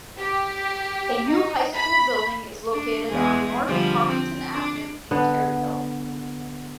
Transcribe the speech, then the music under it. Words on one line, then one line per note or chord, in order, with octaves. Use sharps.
A new high school building is located on North Harwinton Avenue in Terryville.
G4
D#4
B5
D4
E2 G#3 G#4
D3 F3 G3
C4
D4
D3 B3